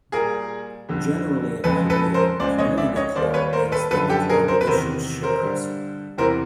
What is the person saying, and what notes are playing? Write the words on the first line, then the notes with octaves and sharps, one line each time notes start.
Generally in Korea, 'community-club' means that the club issues shares.
A#2 G3 G#4 A#4
F2 D3 G3
F2 C#3 F3 G#3 A4 B4
A4 B4
A#4 C5
C#2 C#3 F3 G#3 C5 D5
C#5 D#5
D5 E5
C#5 D#5
D#2 D#3 G3 C5 D5
B4 C#5
A#4 C5
A4 B4
F#2 D3 F3 A4 B4
G4 A4
G#4 A#4
A#4 C5
B4
E2 C3 D#3 A#4 C5
A#4 C5
G2 D3 G3
E2 C3 E3 A#4 C5